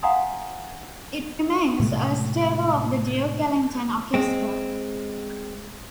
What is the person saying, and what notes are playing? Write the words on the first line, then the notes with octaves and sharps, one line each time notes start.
It remains a staple of the Duke Ellington Orchestra.
F5 F#5 G#5 A#5 C6 D#6
A2 C3 G#3 A3
G#3 C4